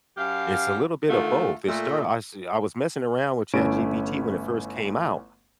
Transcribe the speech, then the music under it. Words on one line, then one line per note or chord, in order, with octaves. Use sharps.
It's a little bit of both. It start I see I was messing around with ChatGPT when it first came out,
F#2 G4 F5
D3 D#3 A3 F4
A#2 A3
G1 A3 C#4 E4 D7